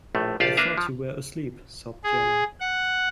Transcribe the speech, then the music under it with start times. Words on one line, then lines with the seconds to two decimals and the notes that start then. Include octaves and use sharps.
"I thought you were asleep," sobbed Jenna.
0.15 A#1 A2 A3
0.40 A#1 F4 G4 D5 F5 A5
0.57 A#3 D4 B4 E5 F5 A#5
0.78 F3
2.04 G#4
2.60 F#5